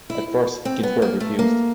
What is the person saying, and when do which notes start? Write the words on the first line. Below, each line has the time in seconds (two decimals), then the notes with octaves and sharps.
At first, Ginsberg refused.
0.10 E4
0.65 C4
0.83 B3
1.02 A#3
1.20 A3
1.39 A#3